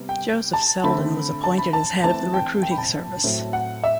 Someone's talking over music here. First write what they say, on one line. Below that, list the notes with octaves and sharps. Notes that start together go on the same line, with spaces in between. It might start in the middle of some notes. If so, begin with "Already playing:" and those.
Joseph Selden was appointed as head of the recruiting service.
Already playing: C3 G3 B3
G5
A5
D3 A3 C4 B5
A5
B5
A5
E3 A3 C4 A5
G5
G5
B5
A5
A2 F#3 A3 C4
F#5
E5